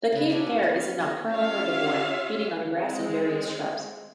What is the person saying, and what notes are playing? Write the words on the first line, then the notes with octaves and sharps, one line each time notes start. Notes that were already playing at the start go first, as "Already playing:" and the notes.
The Cape Hare is a nocturnal herbivore, feeding on grass and various shrubs.
C#3 B4
B2 D4 G#5
C#4
B3 C#4 B4
F5
B3 G#4 D#5
C#4 F4 G4 C#5 E5 F5
G#3 C4